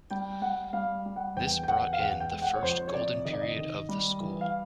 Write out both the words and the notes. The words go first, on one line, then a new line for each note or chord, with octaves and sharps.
This brought in the first golden period of the school.
G3 G5
G3 F#5
G3 F5
G3
F#5
E2 G5
G5
E2 F#5
F5
E2 F#5
G5
G#3
F#5
C#5
F2 C5
C#5
C3 D5
D#3 D#5
D5
D#5
D#3
G3
E3
F5